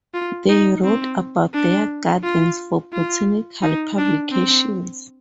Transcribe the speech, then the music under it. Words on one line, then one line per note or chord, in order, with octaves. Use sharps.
They wrote about their gardens for botanical publications.
F4
D#4
C4
D4
F4
F4
D#4
D4
C4